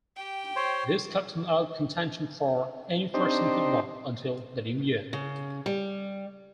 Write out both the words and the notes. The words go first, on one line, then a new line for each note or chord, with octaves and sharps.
This kept him out contention for any first team football until the New Year.
G4 G5
C5 C#5 C6
C4 D4 D#4 G4 C5
C#3
G3